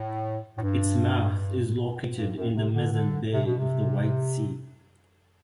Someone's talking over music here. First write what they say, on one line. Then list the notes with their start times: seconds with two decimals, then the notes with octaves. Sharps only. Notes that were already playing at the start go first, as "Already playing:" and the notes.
Its mouth is located in the Mezen Bay of the White Sea.
Already playing: A2
0.57 A2
0.62 G2
2.15 G2
2.35 F#2
2.54 C3
2.73 D3
2.92 D3
3.32 C3
3.44 B2
3.57 C3